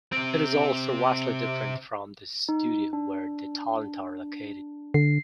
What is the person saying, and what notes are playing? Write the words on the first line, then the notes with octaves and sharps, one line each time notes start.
It is also vastly different from the studio where the talent are located.
C3 C4
D#4
D4
D3 C7